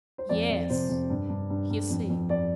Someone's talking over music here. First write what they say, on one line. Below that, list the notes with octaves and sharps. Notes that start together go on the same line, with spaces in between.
"Yes," he said.
C5
F2 D5
F2
C3 C5
F2
G2
G2
G2
G2
F2
F2
F2 D5